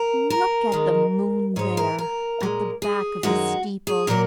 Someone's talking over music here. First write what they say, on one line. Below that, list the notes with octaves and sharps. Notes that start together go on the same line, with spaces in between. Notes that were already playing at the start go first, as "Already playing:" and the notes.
Look at the moon there at the back of the steeple.
Already playing: A#4
A#4
D#2 D#3 G#3
G#2 G#3 C#5
A#4
A#4
A#2 G#3
G#4
F#2 D#3 G#3 F#4
G#4
A#2 F#3 A#3 A#4